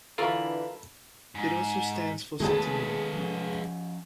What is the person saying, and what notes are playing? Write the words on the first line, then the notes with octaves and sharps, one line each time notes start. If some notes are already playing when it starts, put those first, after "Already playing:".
It also stands for centimetre.
D3 E3 F4 A4 A#4 B5 C#6
G#2
D#3 G#3 A3 B3 G#4 B4 A5
F3 C#4